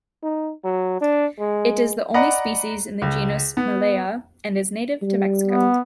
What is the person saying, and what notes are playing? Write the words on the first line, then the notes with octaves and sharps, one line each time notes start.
It is the only species in the genus Malea, and is native to Mexico.
D#4
F#3
D4
G#3
D5 D#5 F#5 A#5 B5
C#2
B3
G3
B3